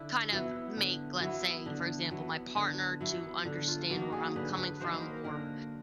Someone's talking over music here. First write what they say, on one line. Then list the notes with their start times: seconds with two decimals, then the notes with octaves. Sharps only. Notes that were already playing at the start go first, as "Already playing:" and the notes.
kind of make, let's say, for example, my partner to understand where I'm coming from or
Already playing: D3 E4
0.32 F#3 B3 E4
0.77 D3
1.21 F#3 B3 E4
1.66 D3
2.11 F#3 B3 E4
2.55 D3
3.01 F#3 B3 E4
3.45 D3
3.68 F4
3.90 F#3 A#3 D#4
4.12 G#4
4.36 D3 B4
4.58 B4
4.80 F#3 A#3 D#4 C5
5.02 A#4
5.24 D3 A#4